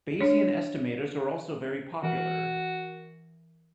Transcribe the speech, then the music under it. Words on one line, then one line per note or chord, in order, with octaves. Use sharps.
Bayesian estimators are also very popular.
D4 C#5
E3 F#4 A#4